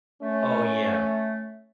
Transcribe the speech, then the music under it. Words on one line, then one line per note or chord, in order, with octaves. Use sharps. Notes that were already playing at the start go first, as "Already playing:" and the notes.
Oh, yeah.
A3 C#4